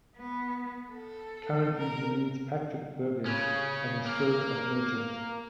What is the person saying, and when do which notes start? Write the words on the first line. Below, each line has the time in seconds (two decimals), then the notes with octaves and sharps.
Currently, he leads Patrick Bergin and the Spirit Merchants.
0.16 B3
0.90 A4
1.75 A#4
3.26 C#3 C#4
4.06 A#3